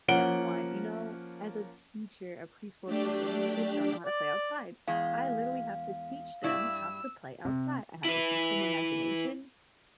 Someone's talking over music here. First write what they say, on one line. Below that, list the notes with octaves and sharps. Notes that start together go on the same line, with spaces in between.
am one you know, as a teacher, a preschool teacher, these kids don't know how to play outside. I literally have to teach them how to play outside. I have to teach them imagination.
F3 A#3 C#4 F#5 D7 G7
F#3 A3 D4 G4 D5
D5
E2 G#3 F5
G2 E4 D5 E6
C3
E4 B4